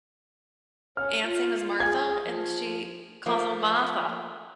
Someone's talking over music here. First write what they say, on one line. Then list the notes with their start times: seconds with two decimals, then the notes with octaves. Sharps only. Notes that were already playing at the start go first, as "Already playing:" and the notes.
aunt's name is Martha, and she calls her Martha.
0.97 C#4 F6
1.26 F4
1.80 G#4 G#6
2.27 F3
3.26 F3 A3 A#3